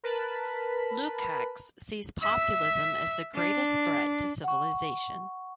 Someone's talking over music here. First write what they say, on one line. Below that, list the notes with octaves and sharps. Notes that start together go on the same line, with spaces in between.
Lukacs sees populism as the greatest threat to civilization.
A#4 B4 A5 B5
E5
D4
F#5 C#6